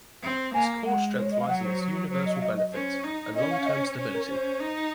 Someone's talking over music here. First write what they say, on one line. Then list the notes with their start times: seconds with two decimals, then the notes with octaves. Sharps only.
Its core strength lies in its universal benefits and long-term stability.
0.23 C4
0.54 A#3 G#5
0.85 G#3 F#5
1.13 C5
1.21 C#5
1.31 D#5
1.40 F5
1.48 F#3 F#5
1.64 C5
2.10 F#3 C5
2.26 D#5
2.35 F5
2.41 D#5
2.57 D#5
2.73 C#4 C5
3.04 D#4
3.35 C#4 D#5
3.50 F5
3.61 F5
3.66 D#5
3.77 C#5
3.82 C5
3.97 C#4 C5
4.13 A#4
4.29 C5
4.60 D#4